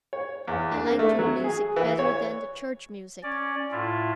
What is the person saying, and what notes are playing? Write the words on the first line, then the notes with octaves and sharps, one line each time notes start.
I liked your music better than the church music.
C#5
E2
D4
A#3
A3
F#3
G#4
E3
C#5
C#4 D5
A2 E4 F4